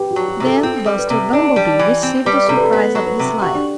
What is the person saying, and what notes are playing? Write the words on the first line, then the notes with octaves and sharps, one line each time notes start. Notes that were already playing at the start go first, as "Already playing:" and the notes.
Then Buster Bumblebee received the surprise of his life.
Already playing: G4 B4
F#4
F#3
F#4
C3
A4
C4 A4
G3
B4
C3
D4 D5
G3
E3
C4
G3 B4
C3 A4
B4
A4
B3 B4
F#3
B4
C3
F#4 G4
D4